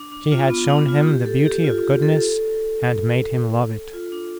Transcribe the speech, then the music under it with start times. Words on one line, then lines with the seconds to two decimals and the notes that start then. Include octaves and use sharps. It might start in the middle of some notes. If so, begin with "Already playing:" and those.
She had shown him the beauty of goodness and made him love it.
Already playing: D4
0.12 D4
0.32 F4
0.50 B3
0.69 D4
0.88 F4
1.07 G4
1.26 A4
1.46 G4
1.64 F4
1.84 G4
2.02 A4
2.21 A4
3.93 F4
4.12 D4